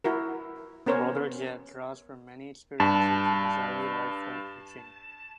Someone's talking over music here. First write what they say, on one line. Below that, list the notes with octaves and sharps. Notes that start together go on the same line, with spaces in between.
Brother Jed draws from many experiences in his early life while preaching.
E4 F#4 A#4
B3 C#4 A#4 C5 C#5
G2 A5